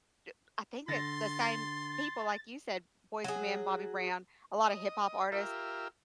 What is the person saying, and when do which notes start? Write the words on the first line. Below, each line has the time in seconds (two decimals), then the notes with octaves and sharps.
j I think the the same people, like you said, Boyz II Men, Bobby Brown, a lotta hip hop artists
0.88 D3 C6 A6 A#6
3.24 F#3 G#4
4.64 D#5
5.32 F4 G4 A#4 E5